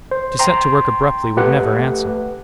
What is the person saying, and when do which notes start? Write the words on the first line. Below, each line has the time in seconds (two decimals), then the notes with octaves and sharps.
To set to work abruptly would never answer.
0.11 C5
0.39 G5 A#5 C6
1.37 A3 G4 B4 F#5